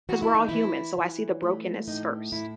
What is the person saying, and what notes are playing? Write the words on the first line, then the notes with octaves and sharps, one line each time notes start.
'cause we're all human, so I see the brokenness first
E3 F#4
E4
D#4
E3 E4
E3
A3
A2 D#4
A2 E4